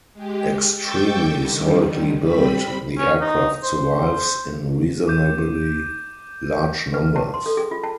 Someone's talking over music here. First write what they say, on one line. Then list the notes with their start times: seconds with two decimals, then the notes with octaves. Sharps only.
Extremely solidly built, the aircraft survives in reasonably large numbers.
0.13 G#3 G4
0.72 G5 C#6 D6 E6 G6 A6
1.31 D3 D#3 G3
2.19 G3 C4 B5 B6
2.98 C#4
3.21 D#4
3.63 C5
5.08 D6 G6 D#7
6.94 B4
7.16 A5
7.34 C6
7.46 A4
7.57 G#4
7.71 F4
7.84 A5